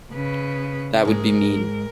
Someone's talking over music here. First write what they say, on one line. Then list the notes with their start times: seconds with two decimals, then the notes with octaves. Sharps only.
That would be mean.
0.12 C#3 B4
1.05 G#2 G#3 A#4